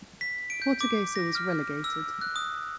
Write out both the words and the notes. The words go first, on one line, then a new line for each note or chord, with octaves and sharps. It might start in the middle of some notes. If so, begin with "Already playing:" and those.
Portuguesa was relegated.
B6
D7
G6
D6
A#6
F6
E6
F#6
D#6